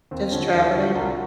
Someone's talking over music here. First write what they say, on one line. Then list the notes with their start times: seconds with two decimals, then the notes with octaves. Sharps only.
Just traveling?
0.11 D#2 C4
0.32 D3 F3 C#4
0.53 D#2 E4
0.74 D3 F3 F#4
0.95 C2 F4
1.05 F#4